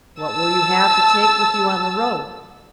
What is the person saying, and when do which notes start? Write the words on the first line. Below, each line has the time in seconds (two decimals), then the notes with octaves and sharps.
"What will you have to take with you on the road?"
0.24 A5 E6